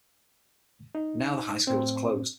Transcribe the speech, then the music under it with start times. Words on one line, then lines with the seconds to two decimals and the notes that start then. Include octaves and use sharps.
Now the high school has closed.
0.95 D#4
1.67 A2 C4